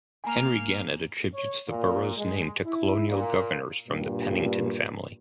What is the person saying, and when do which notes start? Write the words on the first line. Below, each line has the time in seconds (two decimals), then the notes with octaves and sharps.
Henry Gannett attributes the borough's name to colonial governors from the Pennington family.
0.24 A#3 G#5 A#5 F6
1.33 C#5
1.68 A#2
2.17 G#3
2.64 E4
3.08 A#2
3.89 G2 A#2